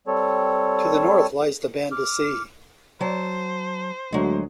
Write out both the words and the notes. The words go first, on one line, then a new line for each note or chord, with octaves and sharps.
To the north lies the Banda Sea.
G3 C4 A4 C#5
D6 F6
F#3 C5 A5
D2 F#3 G#3